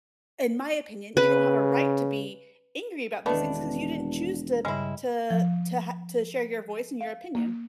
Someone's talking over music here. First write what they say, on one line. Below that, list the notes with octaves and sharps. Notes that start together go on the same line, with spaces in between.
in my opinion, you don't have a right to be angry about these things, 'cause you didn't choose to to to ha to share your voice and your opinion.
C#3 B4
E1 D#3 A3 B3 D4 B4 A5
G2 C#3 G3 G#3 E4
F3
F5
A#3